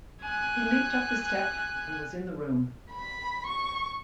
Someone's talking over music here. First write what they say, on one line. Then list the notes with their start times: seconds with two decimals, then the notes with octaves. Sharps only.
He leaped up the step and was in the room.
0.21 G#5 F#6
2.91 B5
3.46 C#6